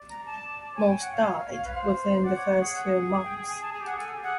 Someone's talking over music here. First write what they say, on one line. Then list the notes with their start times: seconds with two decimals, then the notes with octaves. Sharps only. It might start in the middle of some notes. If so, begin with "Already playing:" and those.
Most died within the first few months.
Already playing: D5
0.09 A#5
0.26 A5
0.75 C#5 G#5
0.88 G5
1.00 F#5
1.12 F5
1.65 B4
1.74 C5
2.24 D5 F#5
2.37 C#5
2.49 C#5
2.61 G#4
3.24 G5
3.48 G#5
3.61 A5
3.72 G#4 G#5
3.80 G4
3.85 G#4 F#5
3.98 A4 G#5
4.16 G4
4.22 G#4 F#5